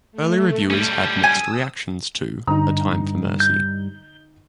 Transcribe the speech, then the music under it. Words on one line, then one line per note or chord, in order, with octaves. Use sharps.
Early reviewers had mixed reactions to "A Time for Mercy".
A3
G3 C#4 A5
G#5 D#6 E6
G2 D3 D#4 A#5
G6